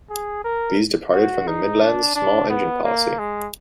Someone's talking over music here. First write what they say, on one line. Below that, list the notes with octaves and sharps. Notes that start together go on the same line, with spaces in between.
These departed from the Midland's small engine policy.
G#4
A#4
F#4
D#4
D4
D4
B3
A#3
G#3